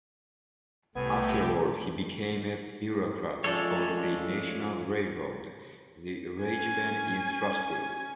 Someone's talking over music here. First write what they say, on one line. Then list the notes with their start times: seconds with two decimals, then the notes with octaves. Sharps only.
Afterwards, he became a bureaucrat for the national railroad, the Reichsbahn, in Strasbourg.
0.95 C2 A2 A3 B3 G4 G#5
3.44 F3 G#3 A3 C#4 F4 A4 C#5 D5
6.43 C#4 G#5